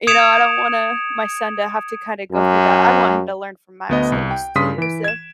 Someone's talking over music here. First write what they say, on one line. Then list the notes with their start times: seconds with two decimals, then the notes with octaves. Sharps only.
you know, I don't wanna my son to have to kind of go through that. I want him to learn from my mistakes too, so
0.07 D#6 G#6 C#7 D7 E7 F7
2.32 F#2
3.89 D2 B3 D#5
4.12 C2
4.31 G5
4.55 G2 C#3 C6 D#6 B6
4.78 E3 D7
5.04 G#6 E7